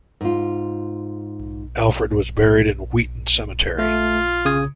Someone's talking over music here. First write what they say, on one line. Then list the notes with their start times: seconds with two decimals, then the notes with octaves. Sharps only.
Alfred was buried in Wheaton Cemetery.
0.21 G#2 F4
3.79 A3 F4
4.45 C#3 D#6 G#6